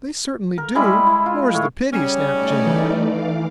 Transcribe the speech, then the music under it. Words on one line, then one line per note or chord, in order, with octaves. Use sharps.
"They certainly do, more's the pity!" snapped Jenny.
A#4
G3 G#3 E4 B5
G#3
E4
F4
A2 C#5
C#3 G3 C#4
A3 D#4 D5
E3
F5 D6